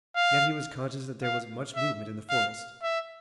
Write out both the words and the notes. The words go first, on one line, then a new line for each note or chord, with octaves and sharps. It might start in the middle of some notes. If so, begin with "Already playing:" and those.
Yet he was conscious that there was much movement in the forest.
F5
F5
E5
F5
E5